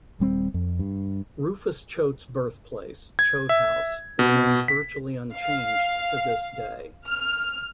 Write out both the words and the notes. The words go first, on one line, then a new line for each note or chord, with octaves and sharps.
Rufus Choate's birthplace, Choate House, remains virtually unchanged to this day.
D#1 G3 C4
F2
G2
G#6
E5
B2
B6
F5
F6